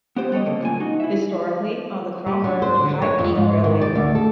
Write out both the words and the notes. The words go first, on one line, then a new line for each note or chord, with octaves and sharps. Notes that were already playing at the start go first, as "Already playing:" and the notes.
Historically on the Cromford and High Peak Railway.
B3 G4 C5
G3 A4 C#5 D#5
C#3 A3 A#3
F#2 A#2 C#3 G#5
D#4 F#4
E4 E5
G3
F#3
C5
D3
C#5
F2
G#2
D#3
D5
D2
A4